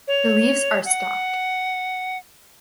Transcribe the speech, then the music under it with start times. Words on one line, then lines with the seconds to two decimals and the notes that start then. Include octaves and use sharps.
The leaves are stalked.
0.08 C#5
0.85 F#5